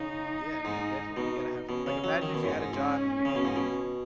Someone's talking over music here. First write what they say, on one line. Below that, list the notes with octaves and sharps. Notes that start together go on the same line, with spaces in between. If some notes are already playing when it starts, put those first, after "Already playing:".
Yeah, man, definitely you gotta have fun like, imagine if you had a job and you hated it,
Already playing: C#3 D#4
G#2
B2
B2 C#4
C#3
F#3
D#3
B2
F#2
G#2
G#2
G#2 C#4
C#3
B2
G#2
B2